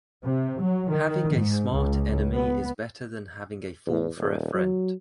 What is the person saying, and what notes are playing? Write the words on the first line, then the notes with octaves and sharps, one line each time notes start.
Having a smart enemy is better than having a fool for a friend.
C3
F#3
D#3
G#2
C#2
B3
E2
D#1
F#3